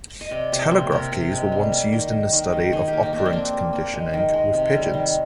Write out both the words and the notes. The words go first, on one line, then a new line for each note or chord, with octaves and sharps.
Telegraph keys were once used in the study of operant conditioning with pigeons.
D#5
C3 D5
C3
C5
A#3
C3 A#4
C3
G#3
G3
A#3
D#3
D#3
D#3
D#3
D#3 G#4
G4
A#3
D#4
A#3
D4
C4
A#3 D4
A#3
A#3
G#3
D#3
G#3
C3
G3
D#3